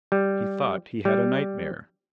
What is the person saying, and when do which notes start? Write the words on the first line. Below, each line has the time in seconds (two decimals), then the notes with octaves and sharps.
He thought he had a nightmare.
0.12 G3
1.05 G3